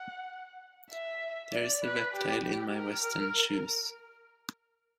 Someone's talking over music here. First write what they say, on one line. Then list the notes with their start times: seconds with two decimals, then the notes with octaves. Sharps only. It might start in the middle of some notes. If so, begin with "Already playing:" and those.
There is a reptile in my western shoes.
Already playing: F#5
0.90 E5
1.52 D5
1.83 B4
2.14 G4
2.44 G4
2.75 A#4